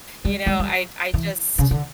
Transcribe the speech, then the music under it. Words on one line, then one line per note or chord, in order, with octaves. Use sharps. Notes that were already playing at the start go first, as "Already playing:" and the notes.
You know, I'd I just
G3
G3
G3
F#3
E3
C#3
D3